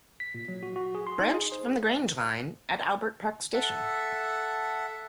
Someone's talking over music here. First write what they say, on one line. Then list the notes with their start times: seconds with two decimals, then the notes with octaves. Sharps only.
Branched from the Grange line at Albert Park station.
0.20 B6
0.34 A#2
0.48 F#3
0.63 F#4
0.76 F#4
0.95 G#4
1.07 C6
1.21 D#4
1.34 G#4
1.52 C5
3.54 A4 E5 F#5